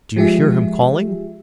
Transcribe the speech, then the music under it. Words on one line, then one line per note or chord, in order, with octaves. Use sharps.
Do you hear him calling?
F3 G#3 G4 G#4 E5